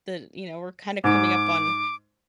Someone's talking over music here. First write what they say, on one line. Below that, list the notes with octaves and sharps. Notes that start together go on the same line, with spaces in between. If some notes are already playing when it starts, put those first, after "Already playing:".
the you know, we're kinda coming up on
G#2 D6